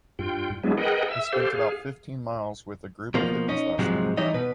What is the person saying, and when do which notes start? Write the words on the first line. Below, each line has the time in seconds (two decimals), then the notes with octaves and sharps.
I spent about fifteen miles with a group of hippies last night.
0.19 G2 F4 G5
0.63 F#3 G#3 B3 D4 E4 G#4
0.77 G#4 A#4 B4 D#5 F#5 G5
1.08 E5 E6
1.33 G4 A4 C5 F5
1.53 G#4 F5
3.14 B2 F3 A#3
3.49 C#4 D#4
3.79 G#2 C3 F3 F#3 G#3
4.17 E3 G3 D#4 E4 C#5 D#5
4.34 B2 B4